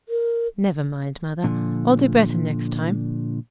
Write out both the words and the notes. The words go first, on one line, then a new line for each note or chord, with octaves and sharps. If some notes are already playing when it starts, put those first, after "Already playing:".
'Never mind, Mother; I'll do better next time.'
A#4
A#2 D3 F3